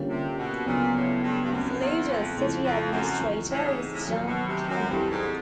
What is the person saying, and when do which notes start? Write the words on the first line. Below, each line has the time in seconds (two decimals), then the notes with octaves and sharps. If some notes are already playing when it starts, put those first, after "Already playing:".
Saluda's City Administrator is Jon Cannon.
Already playing: D3 G3 A#3 C#4 F4
0.10 C3
0.37 B2
0.66 A#2 C#3 F#3 B3 D4
0.94 A2
1.22 G2
1.44 G2
1.50 F#2 A3 C4 D#4
1.79 E2
2.08 F2
2.35 F2 C#3 F3 A3 C4 E4
2.63 F2
2.91 F#2
3.20 E3 G3 C4 F4
3.50 A2
3.63 G#2
3.93 A2
4.05 A#2 D#3 F#3 A3
4.26 B2
4.47 C3
4.68 F#2
4.89 G2 G3 C4 E4 A4
5.10 G#2